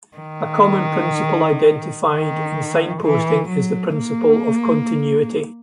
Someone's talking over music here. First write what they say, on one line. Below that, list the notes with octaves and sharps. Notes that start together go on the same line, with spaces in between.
A common principle identified in signposting is the principle of continuity.
D#3
D#3
E3
F#3
A#3